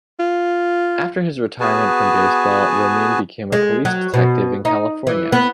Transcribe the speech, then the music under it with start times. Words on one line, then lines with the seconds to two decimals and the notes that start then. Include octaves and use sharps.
After his retirement from baseball, Romine became a police detective in California.
0.20 F4
1.60 B3 F#4 G#4 B4 G#5 A5
3.52 G#3
3.85 F#3
4.14 B2
4.65 D#4
5.07 E3
5.32 B3